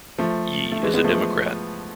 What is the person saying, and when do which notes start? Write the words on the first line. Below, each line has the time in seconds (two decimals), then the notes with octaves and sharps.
Yee is a Democrat.
0.18 F3 A3
0.72 A3
0.83 E3 G#3
0.94 G#3 B3
1.04 F3 A3